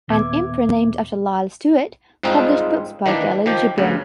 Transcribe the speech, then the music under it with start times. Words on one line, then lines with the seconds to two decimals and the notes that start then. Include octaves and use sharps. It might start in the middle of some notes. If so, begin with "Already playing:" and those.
An imprint named after Lyle Stuart published books by Kahlil Gibran.
0.08 D#2 A#2 B3 E5 D6 G#6
2.23 G#2 G3 G#3 C4 D#4 F4
3.06 D#3 E3 A#3 D4
3.46 D#3 F3 G4
3.78 D2 G2 C#3